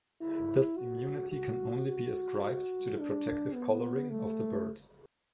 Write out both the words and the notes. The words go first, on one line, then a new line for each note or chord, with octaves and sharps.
This immunity can only be ascribed to the protective coloring of the bird.
E4
F#4
F#4
F#4
F#4
D4
B3
A3